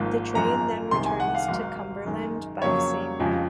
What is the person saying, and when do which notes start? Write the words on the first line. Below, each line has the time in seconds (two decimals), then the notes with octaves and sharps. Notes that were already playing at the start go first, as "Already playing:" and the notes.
The train then returns to Cumberland by the same route.
Already playing: G#1 G#2 F3 A#3
0.35 G#1 F#2 F3 G#3 A#5
0.91 C2 C3 D#3 G#3 C6
1.06 G#5
1.20 F#5
1.35 F5
1.48 G#1 G#2 F#3
2.05 F#2 D#3 G#3
2.62 F2 C#3 F#3 A#3 C#5
3.20 F2 C#3 F3 G#3